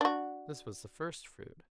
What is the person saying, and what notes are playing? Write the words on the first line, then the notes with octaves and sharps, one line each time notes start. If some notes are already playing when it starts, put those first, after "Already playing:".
This was the first fruit.
D4 F#4